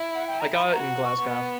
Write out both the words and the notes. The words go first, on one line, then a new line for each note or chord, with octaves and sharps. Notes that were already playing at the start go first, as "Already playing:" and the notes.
I got it in Glasgow.
Already playing: E4
F#5
G5
A#5
B5
F#4 A#5
F#5
C#6
B3